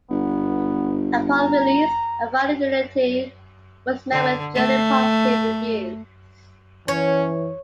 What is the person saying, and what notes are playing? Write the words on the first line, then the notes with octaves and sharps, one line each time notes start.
Upon release, "A Final Unity" was met with generally positive reviews.
G1 B3
A#5
D3
A3
E3 C#4 C#5